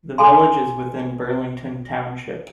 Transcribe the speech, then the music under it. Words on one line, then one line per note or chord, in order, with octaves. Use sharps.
The village is within Burlington Township.
A4 G#5 C6